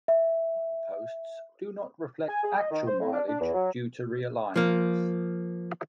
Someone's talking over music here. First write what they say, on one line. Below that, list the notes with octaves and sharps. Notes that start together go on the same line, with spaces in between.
Mileposts do not reflect actual mileage due to realignments.
E5
G#5
G#4
D#5
D#3
C5
A2
D4
D4
E2
F#3
F3 A#3